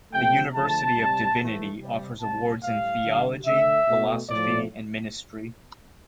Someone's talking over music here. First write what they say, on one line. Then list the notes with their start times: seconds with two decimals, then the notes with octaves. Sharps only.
The University of Divinity offers awards in theology, philosophy and ministry.
0.12 C3 F3 A3 G5
0.54 D3 F3 A3 A5
0.96 C3 G3
1.38 A2 E3 A3
1.80 C3 G3
2.21 C3 G3 A5
2.63 A2 G3 F5
3.04 D3 G3
3.46 D3 A3 E5
3.88 B2 A3
4.29 A2 F3 A3 D5